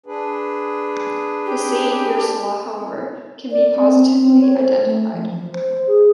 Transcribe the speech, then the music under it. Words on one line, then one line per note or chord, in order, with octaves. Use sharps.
The "Saint Ursula", however, can be positively identified.
D4 G#4 B4
G4
D5
C4
C4
C#5
C5
A3
F3
F3
C5
G#4